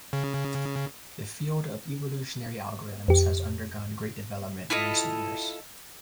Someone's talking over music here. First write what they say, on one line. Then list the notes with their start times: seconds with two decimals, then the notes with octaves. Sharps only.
The field of evolutionary algorithms has undergone great development in recent years.
0.13 C#3
3.08 F2 G4
4.70 E4 F4 A4 D#5